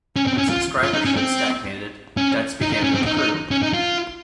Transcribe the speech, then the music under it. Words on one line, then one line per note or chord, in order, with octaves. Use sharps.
When subscribership stagnated, debts began to accrue.
C#4
C4
C#4
F4
F4
D#4
C#4
C4
C#4
D#4
D#4
C#4
C4
D#4
D#4
C#4
D#4
F4